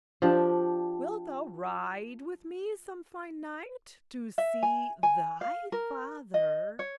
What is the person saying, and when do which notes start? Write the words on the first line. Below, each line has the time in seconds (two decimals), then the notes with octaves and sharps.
Wilt thou ride with me some fine night to see thy father?
0.22 F3 D4 G4
4.38 E5
4.63 G#5
5.03 G#5
5.41 F5
5.72 A#4
6.34 D#5
6.79 C#5